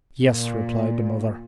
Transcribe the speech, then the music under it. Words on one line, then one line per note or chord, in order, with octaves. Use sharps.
"Yes," replied the mother.
A#2